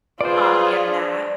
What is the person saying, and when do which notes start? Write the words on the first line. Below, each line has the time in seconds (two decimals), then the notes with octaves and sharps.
um, and that
0.21 F4 G#4 B4 C5 D5
0.87 D4